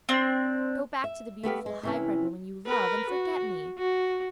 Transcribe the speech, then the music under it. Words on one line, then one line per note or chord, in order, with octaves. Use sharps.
Go back to the beautiful, high-bred woman you love and forget me.
C4 D4
E5
A3 B3 G4 F5
G#3
C3 E3 C#4
A#4 B4
F#4
F#4